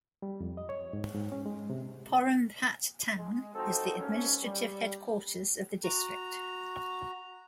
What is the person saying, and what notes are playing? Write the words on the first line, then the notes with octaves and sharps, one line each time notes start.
Porompat town is the administrative headquarters of the district.
G3
F2
D#5
C#5
G#2
G#2
C#4
G#3
C3
G#3
F3 C4 D#4 F#4 A4
F2 G#2 A#3 C#4
G3
F#4 A#5